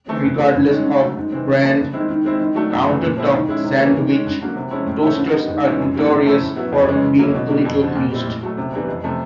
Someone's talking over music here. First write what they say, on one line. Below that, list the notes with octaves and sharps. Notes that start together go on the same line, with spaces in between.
Regardless of brand counter-top sandwich toasters are notorious for being little-used.
E3 A3 C4
G2
E3 A3 C4
G2
D#3 G#3 C#4
D3
F#3 A3
G#2
E3 G#3 C4
C#3
F3 A#3 D4
G2
D#3 G#3 C4 E4
D#3
G#3 C4 E4
D#3
F#3 A3 D4
F#2
C#3 E3 A3
A#2
F3 G#3 C4 E4
D#3
G#3 C#4 E4
C3
E3 G3 A#3 C#4
D#3
G#3 C#4
G2
D3 F#3 A#3
C3
F3 G#3 C#4 E4
A2
F3 A3 C#4 E4
D3
G3 B3 D#4
G#2
E3 G#3 C#4 E4
F#2
D#3 G3 A#3
C3
F3 A3 C#4 E4
A2
F#3 B3 E4
F2
C#3 E3 G#3 C#4
C#3
F#3 A#3 C#4 E4
B2
G3 A#3 D4
F2
D3 F3
A#2
G3 C4 E4
A2
F#3 A3
C3
E3 G3 B3 D4
F2
C3 F3 A3